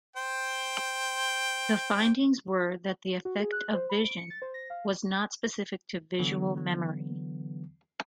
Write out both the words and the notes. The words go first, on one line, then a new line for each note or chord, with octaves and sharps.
The findings were that the effect of vision was not specific to visual memory.
C5 G5
F#4
G#4
F#6
C5
B5
D7
C#7
A6
C5
A#6
F5
D3 E3 F#3 B3